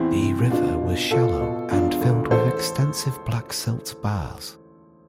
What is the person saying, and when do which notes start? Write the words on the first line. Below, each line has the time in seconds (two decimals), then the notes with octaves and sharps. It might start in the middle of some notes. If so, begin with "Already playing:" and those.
The river was shallow and filled with extensive black silt bars.
Already playing: E2 C4 E4
0.20 C3
0.50 B2 D4 F4
0.81 B2
1.10 B2 F4 A4
1.40 B2
1.70 E1 D4 F4
2.01 D2
2.31 A1 A4 C5